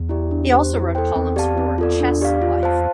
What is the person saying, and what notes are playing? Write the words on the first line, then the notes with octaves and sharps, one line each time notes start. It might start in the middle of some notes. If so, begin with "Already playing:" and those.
He also wrote columns for "Chess Life".
Already playing: E2
E4 G4 D5
D4
G4 C5
F2 E4
E2 A4 C5 G5
E2 C4
G4 D5 F5 A5
C4
F4 A4 D5
D4
G4 D5 F5
F4
C5 F5 A5